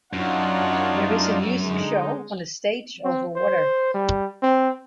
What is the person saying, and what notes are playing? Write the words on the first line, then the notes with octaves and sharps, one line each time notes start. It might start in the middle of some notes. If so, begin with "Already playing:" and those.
There is a music show on a stage over water.
F#2 D4 D#4 F4 C#5 F#5
D3 G#3 D#4
C4
C5
G3
C4